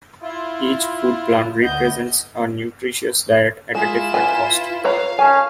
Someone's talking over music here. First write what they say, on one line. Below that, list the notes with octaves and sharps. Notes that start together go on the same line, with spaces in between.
Each food plan represents a nutritious diet at a different cost.
E4 F4
D2 B3 D#5 G6
G#3 E4 F4 E7
B4 G#5
B4 C#5 F5 A#5
C#4 G#5 A5